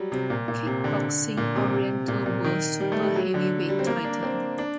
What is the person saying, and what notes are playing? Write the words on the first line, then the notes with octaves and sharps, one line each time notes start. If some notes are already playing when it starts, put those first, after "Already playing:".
Kickboxing Oriental World Super Heavyweight title.
Already playing: F#3 G3
C3
A#2
A#2
C3
D3
A#2
C3
A#2
A#2
D#3
G3
A3
G3
F#3
D3
G3
C4
A#3
D4
C4
D4